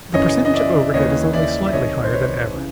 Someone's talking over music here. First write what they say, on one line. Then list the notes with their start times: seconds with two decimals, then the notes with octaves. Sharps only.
The percentage of overhead is only slightly higher than average.
0.13 F#2 C#3 E3 C#5 D#5
0.45 D#5
0.54 D5 E5
0.94 D#2 C#3 E3 C#5 D#5
1.33 D5 E5
1.66 E5
1.73 C2 C3 D#3 C#5 D#5
2.04 C5
2.13 B4 C#5
2.53 C#3 E3